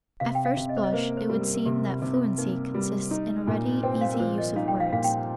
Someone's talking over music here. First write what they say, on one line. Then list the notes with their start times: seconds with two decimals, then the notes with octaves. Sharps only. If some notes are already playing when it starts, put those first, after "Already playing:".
At first blush it would seem that fluency consists in a ready, easy use of words.
0.20 C3 F5
0.35 G5
0.45 F5
0.57 C3
0.69 D#5
0.77 C5
0.84 D#5
0.93 A#3 C5
1.17 C5
1.29 G3
1.42 A#4
1.55 A#4
1.65 C3 G4
1.90 F4
2.02 C3 D#4
2.14 F4
2.38 A#3 D#4
2.74 G3 F4
3.11 D#4
3.47 A#2
3.83 C4 G5
4.01 F5
4.14 A#4
4.20 F3 C5
4.38 D#5
4.56 D#4 F5
4.68 G5
4.80 F5
4.92 A#2 F5
5.04 G5